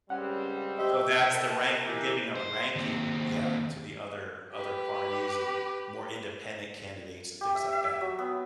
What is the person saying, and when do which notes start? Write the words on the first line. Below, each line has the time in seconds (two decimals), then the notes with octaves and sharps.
So, that's the rank; you're giving a ranking, yeah, to the other other parties and more independent candidates and things like that.
0.10 C#2 G3 C4 C#4 F#5
0.79 G4 C5 D#5 E5
1.31 A4 A#4 G5 A5
1.84 B2 E3 E4 G4
2.36 C5
2.76 D#2 C4
4.52 G4 B4
7.41 G4
7.55 E5
7.73 E5
8.01 F#3
8.19 B3